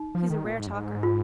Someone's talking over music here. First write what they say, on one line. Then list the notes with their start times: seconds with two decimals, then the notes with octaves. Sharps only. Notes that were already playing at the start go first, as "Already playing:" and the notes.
He's a rare talker.
Already playing: D#4
0.15 F3
0.30 D#3
0.45 A#2
0.60 G#2
0.67 F#2
0.73 G#2
1.03 F4